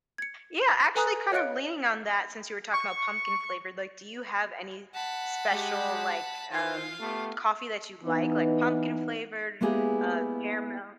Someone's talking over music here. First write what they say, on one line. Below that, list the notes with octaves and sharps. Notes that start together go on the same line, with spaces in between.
Yeah, actually, kinda leaning on that since you were talking about pumpkin flavored, like, do you have any special, like, um, coffee that you'd like, like, pumpkin flavored, uh, caramel?
G#6 C#7
A4 B4 G#5 A#5 D#6 F#6
C#5 D#5 F5 F#6 C#7 D7
C#6
F#5 A5 B5
G#3 G4
D#3 F4 C5 F5
A3 B3 G4
E3 B3 D#4
G#3 A#3 B3 E4 G4 G#4